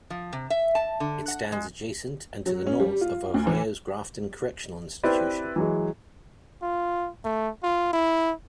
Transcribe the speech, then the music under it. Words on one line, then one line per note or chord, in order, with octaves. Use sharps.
It stands adjacent and to the north of Ohio's Grafton Correctional Institution.
F3
C3
E5
A5
D3
F#5
G#3
F#3
C#4
G3
F4
D2
E3
C4 E4 G4 B4 C5 D5
E3 F#3 G#3
F4
A3
F4
E4